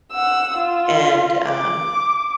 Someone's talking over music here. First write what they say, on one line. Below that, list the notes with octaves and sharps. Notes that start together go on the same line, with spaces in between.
and, um,
F#5 E6
F4
D6